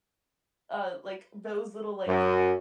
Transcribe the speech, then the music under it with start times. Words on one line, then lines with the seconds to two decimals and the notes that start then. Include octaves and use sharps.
uh, like those little like,
2.08 F#2